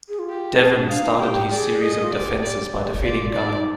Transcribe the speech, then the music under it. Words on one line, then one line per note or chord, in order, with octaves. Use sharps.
Devon started his series of defenses by defeating Gunner.
G#4
F4
G4
C4 G#4
D4
D4 F5
D#4
F4
G4 G5
G#4 D5
G#4 D#5
F4
G4 D5
D5
F4 D5
D#4 D5